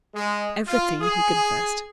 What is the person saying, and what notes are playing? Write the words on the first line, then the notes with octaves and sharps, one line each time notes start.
"Everything," he confessed.
G#3
F4
G#4